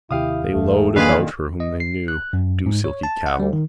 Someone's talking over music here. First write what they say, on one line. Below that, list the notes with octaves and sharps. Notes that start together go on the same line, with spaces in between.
They lowed about her whom they knew, dewsilky cattle.
D#2 C3 E4 G4 F5 D#6
F#1 E2 A3
A#2 D3 D#3 D4 G#4 B4 F5
D#5
C7
F#6
F#2
G#2
C#5
A5
F#5
G3
D#3